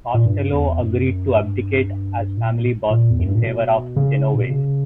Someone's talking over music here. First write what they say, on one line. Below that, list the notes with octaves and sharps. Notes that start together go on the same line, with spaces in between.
Costello agreed to abdicate as family boss in favor of Genovese.
A#2
G2
E2
F#2
G2
A#2
A#2
E2
F#2
G2
A#2
B2
C#3
A#2
B2
C#3